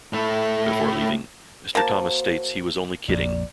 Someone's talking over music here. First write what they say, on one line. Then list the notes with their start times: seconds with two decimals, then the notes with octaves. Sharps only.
Before leaving, Mr. Thomas states He was only kidding.
0.13 A2 A3
1.75 A#3 F#4 C5 A5
3.08 A#1 F2 D5